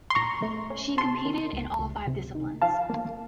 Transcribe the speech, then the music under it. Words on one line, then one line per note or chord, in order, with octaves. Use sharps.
She competed in all five disciplines.
C6
A#2 A#5 C#6
A3
C#4
C3 A5 C6
D#3
C#2
C#2
C3
D#3
F3 F5 A5
A#3